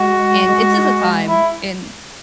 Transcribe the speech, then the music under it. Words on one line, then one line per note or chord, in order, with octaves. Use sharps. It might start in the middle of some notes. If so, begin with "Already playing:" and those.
and it's just a time and
Already playing: G#3 F#4
G#3
E4